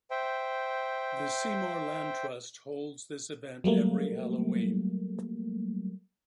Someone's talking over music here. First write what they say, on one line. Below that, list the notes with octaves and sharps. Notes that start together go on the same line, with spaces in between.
The Seymour Land Trust holds this event every Halloween.
C5 E5 G5
F#3 G3 A3 A#3